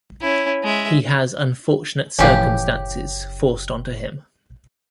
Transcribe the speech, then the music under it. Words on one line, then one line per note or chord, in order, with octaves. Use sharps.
He has unfortunate circumstances forced onto him.
C#4 E4
G#3 E5
F#1 A2 E3 F3 C#4 G4 F5